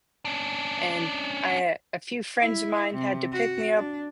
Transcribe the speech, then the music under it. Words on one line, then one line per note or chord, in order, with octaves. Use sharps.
and I uh a few friends of mine had to pick me up,
C#4 D4
E4
C3
F#4
D4